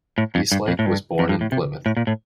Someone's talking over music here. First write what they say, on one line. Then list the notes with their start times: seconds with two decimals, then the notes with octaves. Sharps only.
Eastlake was born in Plymouth.
0.18 A2
0.35 F2
0.52 G2
0.68 F2
0.79 A2
0.86 G2
1.19 F2
1.29 G2
1.41 A2
1.52 C3
1.86 A2
1.97 A#2
2.07 A2